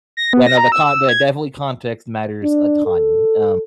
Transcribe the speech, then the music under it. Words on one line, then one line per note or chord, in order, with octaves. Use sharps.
Yeah, no, the con the definitely context matters a ton, um,
A#6
B3
A#6
A#5
E6
E6
G#6
D4
A4